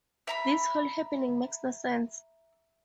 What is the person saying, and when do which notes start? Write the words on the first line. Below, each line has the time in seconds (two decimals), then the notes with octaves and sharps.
This whole happening makes no sense.
0.27 E5 A#5 B5